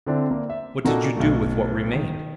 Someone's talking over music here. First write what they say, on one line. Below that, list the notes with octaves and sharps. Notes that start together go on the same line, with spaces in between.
"What did you do with what remained?"
D3 C4 D4 E4
A#3
E5
A#2 A#3 D4 D#4 F#4 A4
B1 A3
D#3